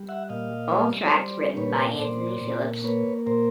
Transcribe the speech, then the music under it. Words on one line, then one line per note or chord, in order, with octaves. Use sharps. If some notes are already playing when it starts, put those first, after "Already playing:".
All tracks written by Anthony Phillips.
Already playing: G3
E5 F#5
A#2 D#5 F5
G3
G3 C5 D5
A#2 B4 C#5
A#2 C5 D5
A#2
A#3 B4 C#5
A#2 A#4 C5